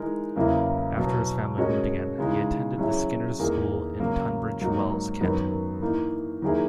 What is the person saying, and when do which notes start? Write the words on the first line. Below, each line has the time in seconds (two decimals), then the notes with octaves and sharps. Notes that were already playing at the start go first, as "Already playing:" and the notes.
After his family moved again, he attended the Skinners' School in Tunbridge Wells, Kent.
Already playing: E3 G#3 D#4 A#4
0.36 E2 C#3 F#3 A#3 E4
0.97 B2 F#3 B3
1.57 G#3 C#4 F#4 A#4 D#5
2.18 C#3 E3 G#3 D#4
2.78 F#3 C#4 E4 G#4
3.39 E2 D#3 A#3 D#4 G#4
4.00 C#3 F#3 A#3
4.60 G#2 F#3 A#3 D#4 F#4
5.21 F#2 D#3 F#3 B3
5.82 E3 A#3 D#4
6.42 D#3 F#3 A#3 E4 G#4